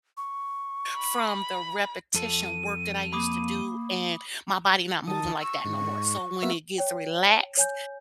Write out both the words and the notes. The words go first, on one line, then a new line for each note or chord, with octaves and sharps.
from the repetition work that I used to do and my body not moving, like, that no more so when it gets relaxed,
C#6
B5
F2 A4 D#7
A#3 B5 D6 D#6
D#3 A5 D#6
C#6 E6
G#2
A#3 B3 E5
C#5 G5
C#5 G#5 G6